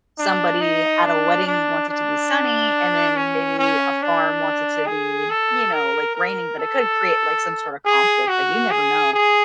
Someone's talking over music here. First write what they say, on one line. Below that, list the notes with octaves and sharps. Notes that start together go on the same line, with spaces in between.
somebody at a wedding wants it to be sunny and then maybe a farm wants it to be, you know, like, raining, but it could create, like, some sort of conflict, like, you never know.
D4
D#4
D4
D4
D4
C#4
C#4
D4
G#4
A4
A#4
A#4
A4
G#4
F#4
G#4
G#4